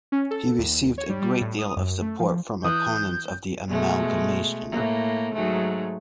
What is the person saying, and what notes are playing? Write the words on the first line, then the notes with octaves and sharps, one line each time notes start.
He received a great deal of support from opponents of the amalgamation.
C#4
A4
D#2
C#5
G3
G3
A2
D#6
F#2
A3
F3
E3 D#6 F#6 G6
B2 G#3 A3
A2 A#3
G#2 F#3 A3